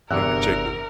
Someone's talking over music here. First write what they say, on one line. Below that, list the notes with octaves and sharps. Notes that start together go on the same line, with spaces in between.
in particular?
G1 E2 C3 D4 A#4 E6 F#6 C#7